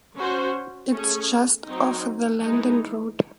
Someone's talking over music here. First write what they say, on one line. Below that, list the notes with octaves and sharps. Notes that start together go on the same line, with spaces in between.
It's just off the London road.
C#4 F#4 C5
A3 C#4 G#4
F#3 C4 D#4
E3 G#3 D#4